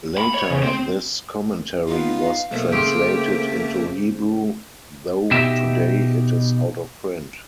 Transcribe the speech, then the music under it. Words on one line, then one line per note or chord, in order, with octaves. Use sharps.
Later this commentary was translated into Hebrew, though today it is out of print.
B5
C#5
C#3
C4
B3 D#4 F4 F5
B1 A3 A#3 C5
C#3 C4 G4
B2 D#4 G4 E5